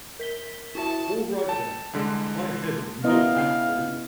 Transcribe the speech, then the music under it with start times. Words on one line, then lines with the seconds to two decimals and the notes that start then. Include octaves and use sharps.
All right, then; by Heaven, you don't have to!
0.19 A#4 B6 G7
0.75 E4 F#4 E5 A5
1.49 A4 G5 A5
1.93 C2 D3 G#3
3.04 B3 C#4 E4 F4 A#4 D#5 F5
3.35 C#3 G5 C7